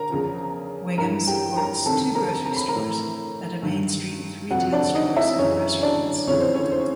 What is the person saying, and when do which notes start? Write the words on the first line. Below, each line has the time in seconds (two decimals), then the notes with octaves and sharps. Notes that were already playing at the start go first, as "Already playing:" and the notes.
Wingham supports two grocery stores, and a main street with retail stores and restaurants.
Already playing: A#4 A#5
0.10 E2 C#3 F3
0.98 G2 E3 A#4 A#5
1.27 G4 G5
1.57 A#4 A#5
1.86 F2 C3 D#3 A4 A5
2.15 A#4 A#5
2.45 A#5
2.56 B5
2.68 A#4 A#5
2.75 A2 E3
3.62 G2 D#3
4.50 F2 C3 F3 F#4 F#5
4.73 D4 D5
4.95 D#4 D#5
5.17 E4 E5
5.39 F#2 C#3 E3 C#4 C#5
5.83 D4 D5
6.27 F2 C#3 E3 C#5
6.41 C5
6.55 C#4 C#5
6.71 C5
6.80 C#5